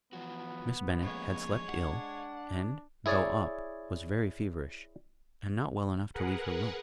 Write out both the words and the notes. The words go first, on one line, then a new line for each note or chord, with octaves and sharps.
Miss Bennet had slept ill, and though up, was very feverish, and not well enough to leave her room.
E3 F3 B3 F#4
F3 G#3 A#3 C#4 C#5
D4 F#5
E4 G#4 C#5 D5
G#4 A#4 B4 F#5